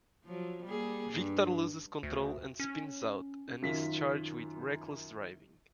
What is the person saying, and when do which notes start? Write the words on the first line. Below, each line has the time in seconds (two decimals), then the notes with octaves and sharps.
Victor loses control and spins out and is charged with reckless driving.
0.25 F3 F#3
0.65 G3 A#3 G#4
1.13 G2
2.03 D2
2.59 C#4
3.62 F#2 D#3 F4 B6